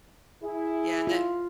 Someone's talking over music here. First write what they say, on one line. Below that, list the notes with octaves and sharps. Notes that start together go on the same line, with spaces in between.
Yeah, and that
E4 G#4
F4